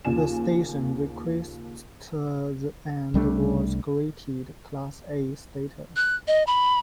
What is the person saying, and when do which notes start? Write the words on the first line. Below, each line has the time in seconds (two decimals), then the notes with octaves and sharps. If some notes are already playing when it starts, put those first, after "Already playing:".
The station requested and was granted Class A status.
0.05 D#2 C#3 F3 G#5 E7
3.14 C2 G3 A3 D4
5.96 F#6
6.28 D#5
6.47 B5